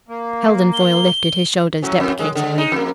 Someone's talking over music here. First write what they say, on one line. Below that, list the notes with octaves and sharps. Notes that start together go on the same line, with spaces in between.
Heldon Foyle lifted his shoulders deprecatingly.
A#3
G7
A2 F#3 C#4
F2 A2
D#3 G#3
D3 G#3
G#3 D#4
F2 A#3